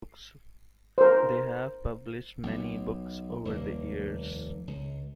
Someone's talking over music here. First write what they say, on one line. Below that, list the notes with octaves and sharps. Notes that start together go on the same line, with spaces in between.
They have published many books over the years.
A#4 C5
B1
F1 D#2 G3 A#3
C#2